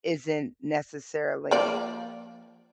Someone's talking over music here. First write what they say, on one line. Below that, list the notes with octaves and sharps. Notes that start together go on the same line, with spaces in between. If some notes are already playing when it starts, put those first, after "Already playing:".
isn't necessarily
F3 A#3 D5